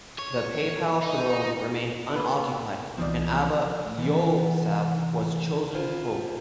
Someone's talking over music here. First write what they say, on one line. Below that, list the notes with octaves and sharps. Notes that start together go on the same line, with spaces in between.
The papal throne remained unoccupied, and Abba Yousab was chosen Pope.
C#5
D#4
A#3 B3 B4
C2 E3 F3 B3 D#4 D5
C3 D#3 E3 B3
E4 F4 C5 G#5